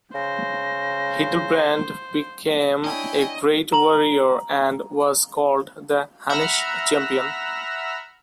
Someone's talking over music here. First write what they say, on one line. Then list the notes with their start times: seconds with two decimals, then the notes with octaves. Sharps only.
Hildebrand became a great warrior and was called the Hunnish champion.
0.15 C#3 C5 A#6
2.84 D4 E4 C#5 D#5 G5 G#5
3.72 A#5 F#7
6.29 E5 F#5 A#5 B5 E6 F6